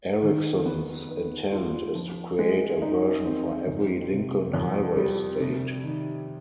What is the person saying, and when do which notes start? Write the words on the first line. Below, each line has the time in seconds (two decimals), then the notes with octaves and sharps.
Erickson's intent is to create a version for every Lincoln Highway state.
0.22 D#3
0.66 B3
1.09 B4
1.52 F4
1.95 F3
2.39 G#3
2.82 D#4
3.25 C4
3.67 F2
4.11 C3
4.53 F2
4.97 G3
5.40 C3
5.84 D#3